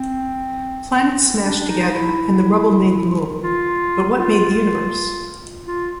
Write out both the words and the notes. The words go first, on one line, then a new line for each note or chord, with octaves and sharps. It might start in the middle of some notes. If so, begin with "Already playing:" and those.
Planets smashed together and the rubble made the moon, but what made the universe?
Already playing: C4
C#4
D4
D#4
E4
F4
F4
F4